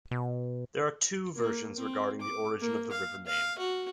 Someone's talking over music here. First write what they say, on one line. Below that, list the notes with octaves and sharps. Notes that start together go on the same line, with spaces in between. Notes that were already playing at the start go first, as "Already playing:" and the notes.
There are two versions regarding the origin of the river name.
B2
A#3
C4
D6
A#3
F5
F5
F#4